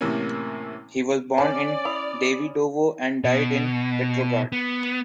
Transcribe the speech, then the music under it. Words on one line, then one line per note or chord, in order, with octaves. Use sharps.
He was born in Davydovo and died in Petrograd.
A2 C3 E3 A#3 C#4
C#4 D5 G#5 A5
E4 B5 D#6 F7
B2
B3